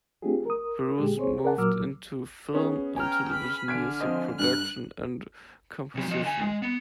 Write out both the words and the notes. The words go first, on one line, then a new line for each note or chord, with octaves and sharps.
Bruce moved into film and television music production and composition.
A3 C4 D4 F4 G4 G#4
A#4 D#6
A#2 D3 G#3 G4 G#4
C4 G#4 C5 C#5
A#4 D5 F#5 A5
A#2 F#3 A#4 D6 E6 F6
B3 C#4 G#4
G5 G#5 A#5 F6
B5
D3 G#6 B6 D7
F3 C4 D#5
G2 F#6
C3 F#3
F3 D#5
D3 G#5
G#3
B3